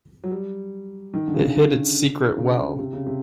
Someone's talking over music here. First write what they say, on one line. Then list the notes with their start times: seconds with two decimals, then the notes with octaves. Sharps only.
It hid its secret well.
0.24 F#3
0.32 G3
1.14 D#3
1.28 D3
1.34 C#3
1.40 D3
2.38 C#3
2.79 C3
2.93 C#3
3.06 C3